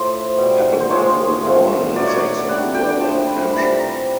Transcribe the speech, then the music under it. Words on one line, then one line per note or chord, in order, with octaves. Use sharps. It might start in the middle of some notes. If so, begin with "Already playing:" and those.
Applebaum was born in Essex and grew up in Hampshire.
Already playing: A2 F3 A3 C5
B2
G3
C5
A#2 F3 G#3 C#5
A#2 F3 A3
B2 F#3 A3 D5
C#5
D5
D3 G3 F#5
G5
A2 F3 A3 A5
B5
C3 E3 G3 B5
A#5